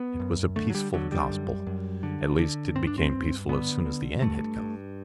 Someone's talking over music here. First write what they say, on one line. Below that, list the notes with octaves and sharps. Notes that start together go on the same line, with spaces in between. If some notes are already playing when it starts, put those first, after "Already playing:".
It was a peaceful Gospel; at least, it became peaceful as soon as the end had come.
Already playing: B3
F#2
D3 A3
F#3
G3
D3 F#3
G3
F#2
F#2
D3
D3
G2 C4
D4
C4
G2
D3 B3
D3
G2 A3
G2